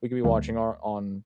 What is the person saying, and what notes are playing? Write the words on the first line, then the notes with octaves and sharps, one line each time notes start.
We could be watching our on
D2 D3 G3 A#3